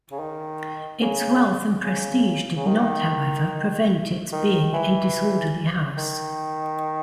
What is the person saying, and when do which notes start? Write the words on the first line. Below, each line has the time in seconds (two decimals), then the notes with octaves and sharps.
Its wealth and prestige did not, however, prevent its being a disorderly house.
0.12 C#3
0.19 D#3
1.01 C#3
1.84 C#3
2.56 C#3
2.67 D#3
4.32 D#3
4.73 E3
5.97 D#3